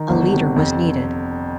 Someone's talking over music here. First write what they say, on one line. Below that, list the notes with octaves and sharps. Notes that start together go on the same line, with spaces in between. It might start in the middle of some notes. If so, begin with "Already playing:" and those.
A leader was needed.
Already playing: D#3
G1
C3
F2